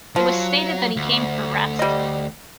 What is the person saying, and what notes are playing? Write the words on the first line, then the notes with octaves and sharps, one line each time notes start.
It was stated that he came for rest.
F3 F#3
D2
G3 D#5